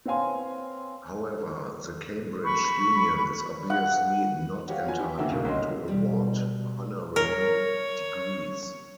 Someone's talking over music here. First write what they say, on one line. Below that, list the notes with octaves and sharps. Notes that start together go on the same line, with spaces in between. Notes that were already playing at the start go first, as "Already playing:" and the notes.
However, the Cambridge Union is obviously not entitled to award honorary degrees.
C4 B4 C#5 F5 G#5 C6
B5 C#6
F#5
F#4 G4 C#5 F5
B3 F4 F#4 G#5
E4 G4
F#2 D3 A#3 F#4 E5 G5
C#2 B2 A#4
C2 D3 C#4 D#5 C6
B2 G3
A#4 C#5